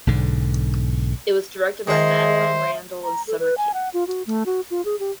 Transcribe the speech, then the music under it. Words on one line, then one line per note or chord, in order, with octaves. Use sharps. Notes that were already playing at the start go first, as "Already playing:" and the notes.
It was directed by Madeline Randall and Summer King.
B1 G#2 D3
D#3 G#3 G#4 C5 E5
A#5
A4
B4
G#5
F#5
F4
F#4
A3
F#4
F4
G#4
G4